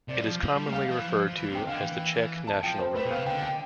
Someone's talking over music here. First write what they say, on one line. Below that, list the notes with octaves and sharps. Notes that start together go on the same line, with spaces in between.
It is commonly referred to as the "Czech national river".
C3 D5
G3
F3
F3
G3
A3
G3 F5
F3
E3
F3
F3
E3
C3 G5
D3 F5
E3
A5
F3 G5
C5
A3 B4
B2
C3 F5
D3 G5
G5